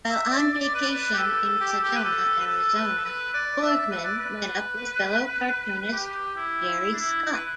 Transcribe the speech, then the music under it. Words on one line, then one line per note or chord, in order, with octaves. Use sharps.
While on vacation in Sedona, Arizona, Borgman met up with fellow cartoonist, Jerry Scott.
E5
D5
D5
B4
D5
B4
G4
A4
G4
A4
G4
B4
A4
B4
A4
B4
A4
B4
D5
E5
B4
D5
B4
G4
E4
E4
D4
E4
E4
B4